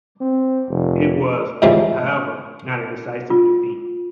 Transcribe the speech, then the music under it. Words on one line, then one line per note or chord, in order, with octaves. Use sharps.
It was, however, not a decisive defeat.
C4
F1
G#2 C#3 E3 F3 G3 A3
F4